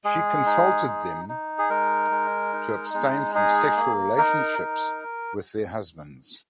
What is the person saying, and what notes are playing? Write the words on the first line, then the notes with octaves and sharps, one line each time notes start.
She counseled them to abstain from sexual relationships with their husbands.
G#3 G#4
D#4
D#4
D#4
G#4
G#3 A#4
G#3
D#4
G#3
D#4 G#4
A#3
D#4 A#4
D#4